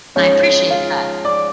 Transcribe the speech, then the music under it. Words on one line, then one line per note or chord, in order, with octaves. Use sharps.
And I appreciate that.
G#2 F3 G#3 C#4 C#5
F4 F5
D5 D6